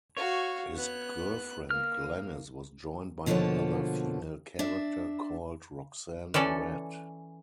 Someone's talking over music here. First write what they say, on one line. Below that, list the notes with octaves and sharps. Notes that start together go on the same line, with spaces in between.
His girlfriend Glenis was joined by another female character called Roxanne Rat.
F#4 C#5 F5
B3 F#6
A#3 F6
B2 D3 F3 A#3 C#5 A5
D4 E5
E3 C#4 A4 D5